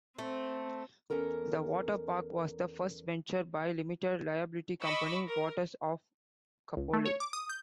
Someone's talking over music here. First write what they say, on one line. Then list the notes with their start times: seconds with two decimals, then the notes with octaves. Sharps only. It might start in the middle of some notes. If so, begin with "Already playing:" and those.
The water park was the first venture by limited liability company, Waters of Kapolei.
0.18 A3 C4
1.10 E2 C#4 A4 A#4 A#5
4.81 D#5 B5 C#6 D6 E6
5.27 A#4
6.77 C#2
6.93 A3
7.06 C#5
7.20 D6
7.33 D#6
7.49 G6